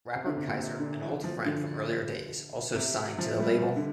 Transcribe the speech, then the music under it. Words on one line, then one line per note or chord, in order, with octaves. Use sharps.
Rapper Keizer, an old friend from earlier days also signed to the label.
C3
D3
C3
A#2
C3
D3
E3
F3
D3
C3
F3
G3
C3
D3